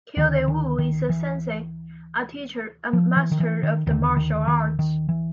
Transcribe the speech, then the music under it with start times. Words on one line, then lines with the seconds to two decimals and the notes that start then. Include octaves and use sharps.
"Kildee Wu is a sensei", a teacher, a master of the martial arts.
0.17 D2 D3 D#3
0.48 D#3
0.79 D#3
1.10 E3
2.93 F3
3.17 E3
3.32 D#3
3.40 E3
3.63 D#3
3.86 D#2 D3 D#3
4.17 D#3
4.48 D#3
4.79 D#3
5.09 E3